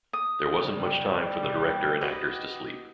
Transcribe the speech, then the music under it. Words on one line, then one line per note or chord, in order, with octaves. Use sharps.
There wasn't much time for the director and actors to sleep.
D#6
F#1 D2 G3
C2
F#4 G4 B4 D#5